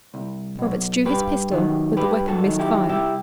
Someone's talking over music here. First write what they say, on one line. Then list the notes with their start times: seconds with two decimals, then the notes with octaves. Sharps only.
Roberts drew his pistol but the weapon missed fire.
0.14 C2
0.59 B2 F#3
1.05 G2 G4 B4
1.52 D#3 F#3
1.97 G2 G4 B4
2.28 F#4 A4
2.44 D#3 F#3
2.59 E4 G4
2.89 C2 E4 G4